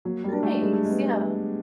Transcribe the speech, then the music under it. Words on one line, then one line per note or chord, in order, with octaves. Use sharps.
Nice, yeah.
F#3 A#3
G3
D4
A3
G3 G#3
A3
G#3
B3